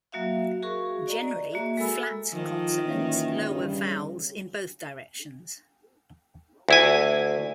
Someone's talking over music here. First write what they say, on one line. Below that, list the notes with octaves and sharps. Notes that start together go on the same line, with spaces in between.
Generally, "flat" consonants lower vowels in both directions.
F#3 A#3 F#4 E5 F5
F#4 G#4 A#4 F5 C#6
D5 D#5 A#5
A#3 F#4 G#4 E5
G#3 A4 A#4 G#5 B5 E6
D#3 F3
A#2 E3 C#4
G2 C#3
D2 E4 G#5